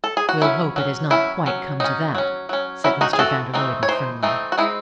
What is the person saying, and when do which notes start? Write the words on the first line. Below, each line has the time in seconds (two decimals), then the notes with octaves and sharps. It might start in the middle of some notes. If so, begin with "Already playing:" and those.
"We'll hope it has not quite come to that," said Mr. van der Luyden firmly.
0.04 A4
0.17 G#4
0.29 F#4
0.42 F#3 C#4 E4
0.76 F#3 C#4
1.10 F#3 C#4 E4
1.46 F#3 C#4
1.80 F#3 C#4 D#4
2.15 F#3 C#4
2.49 F#3 C#4
2.84 F#3 C#4 E4
3.01 D#4 F#4
3.13 G#4
3.18 E3 A3 C4 F#4 A4
3.54 E3 A3 C4 D#4
3.83 C#5
3.88 E3 A3 D#4 C5
4.23 E3 A3 C4 D#4
4.52 F#4
4.58 G#3 C4 D#4 E4